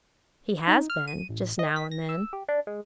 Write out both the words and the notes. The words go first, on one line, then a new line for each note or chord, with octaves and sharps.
'He has been--just now an' then.'
D#4
F6
D#7
A1
D#5
B6
A#6
E6
G4
D4
G#3